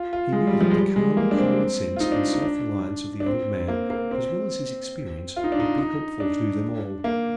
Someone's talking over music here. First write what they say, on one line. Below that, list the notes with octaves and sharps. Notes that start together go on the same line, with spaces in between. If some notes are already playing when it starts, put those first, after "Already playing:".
He knew that the calm common sense and self-reliance of the old man, as well as his experience, would be helpful to them all.
Already playing: F4
F4
G#3
G3
F3
G#3
G3
G#3
A#3
D4
C4
F4
D#4
D4
D#4
D4
D4
C4
A#3
A#3
C4
F4
D#4
D4
D#4
D#4
D4
A#3